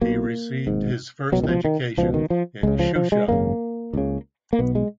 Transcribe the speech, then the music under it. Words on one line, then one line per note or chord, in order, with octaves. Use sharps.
He received his first education in Shusha.
B1 B2 A#3
G#1 G#2
C#2 B2 F#3
D#3
F3
D#3
C#2 B2 F3
D#3
F3
C#2 C#3 G#3
F3
F3
G#3
G#1 F#2 C#3 A#3
C#2 C#3
A#3
B1 B2 B3
G#3